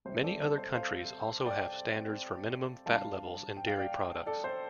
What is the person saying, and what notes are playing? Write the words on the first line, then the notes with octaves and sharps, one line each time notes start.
Many other countries also have standards for minimum fat levels in dairy products.
C2 C3 G3 C5
A4 D5
A4 D5
C5
C5 F5
D5 G5
G2 G3 F5 A5
G5
F5
D5 G5
A4 D5
C5